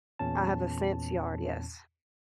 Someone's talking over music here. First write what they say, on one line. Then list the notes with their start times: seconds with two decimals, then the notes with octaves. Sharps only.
I have a fence yard, yes.
0.19 E2 A#2 C#4 A5